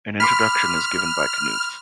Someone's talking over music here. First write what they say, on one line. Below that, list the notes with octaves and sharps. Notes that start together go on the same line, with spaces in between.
An introduction is given by Knuth.
B5 C6 D6 F6